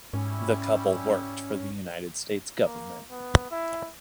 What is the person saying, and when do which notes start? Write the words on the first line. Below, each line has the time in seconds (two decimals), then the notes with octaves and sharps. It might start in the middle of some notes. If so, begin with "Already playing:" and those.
The couple worked for the United States Government.
0.13 G#2 G3 C#4 E4
2.65 A#3
3.10 B3
3.51 E4